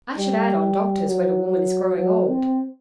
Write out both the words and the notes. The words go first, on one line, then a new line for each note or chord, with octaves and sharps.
I should add on doctors when a woman is growing old.
G3
F#3
F#3
C4